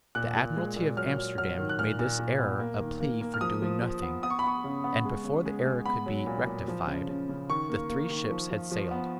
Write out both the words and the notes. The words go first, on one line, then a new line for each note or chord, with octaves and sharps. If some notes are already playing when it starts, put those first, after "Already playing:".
The Admiralty of Amsterdam made this error a plea for doing nothing; and, before the error could be rectified, the three ships had sailed.
A#2 F#6
A#2
G#3
A#2
F#3 F6
F#3
F#3 F6
D#3
F#6
A#2 F6
A#2
A#2
B3
A#3
D#3
A#3
A#3
F6
F3 D#6
F3
F3
B3
B3 D#6
C#6
B5
B3 C#6
C#3
B3
G#3
C#3
G#3
G#3
B3 B5
F#3
A#2
A#2
F3
C#3
C#3
C#3
D#3 C#6
A#3
A#3
D#3
F3
F3
F3
B3